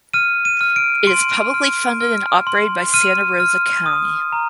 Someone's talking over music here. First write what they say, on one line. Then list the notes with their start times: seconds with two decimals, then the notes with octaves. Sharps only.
It is publicly funded and operated by Santa Rosa County.
0.14 F6 D#7
0.45 D#7
0.61 F6
0.76 D7
1.07 C6 D7
1.54 F6
2.01 F6
2.47 C6
2.94 F6 D#7
3.40 F6
3.86 D#6
4.32 A#5